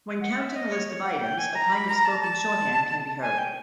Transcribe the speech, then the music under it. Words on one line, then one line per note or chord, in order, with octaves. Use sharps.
When counting a list of items a kind of spoken shorthand can be heard.
F#5
E5
D#5
C#5
C#5
F#5
G5
G#5
A#5
B5
A#5
A5
A5
G#5
G5